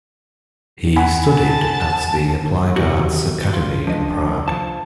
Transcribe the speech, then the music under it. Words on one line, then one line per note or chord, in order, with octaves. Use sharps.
He studied at the Applied Arts Academy in Prague.
F#5 G#5 B5
A5
C3 D#3 F#4
F4
F3 D4 D#5
F3 A5